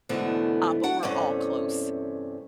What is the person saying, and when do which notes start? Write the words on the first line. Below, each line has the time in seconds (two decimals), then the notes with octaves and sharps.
um, but we're all close.
0.09 G#2 B2 D3 E3 A3 B3
0.83 D4 F#4 F#5
1.03 E2 G2 C3 A3 C#4